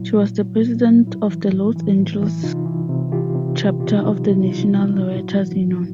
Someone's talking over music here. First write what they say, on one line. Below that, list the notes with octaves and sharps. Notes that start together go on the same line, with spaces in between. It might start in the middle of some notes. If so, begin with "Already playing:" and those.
She was the president of the Los Angeles chapter of the National Writers Union.
Already playing: A#2 F#3 E4
A#2
F#3
A#2
F#3
A2 E4
E3
A2
E3
A2
E3
C3 D#4 F4
E3
C3
E3 F4 G4
C3
E3
B2 F4 G4
D#4
F#3
B2
E4
F#3 D#4 F4
B2
F#3
A2 E4 F#4
E3
A2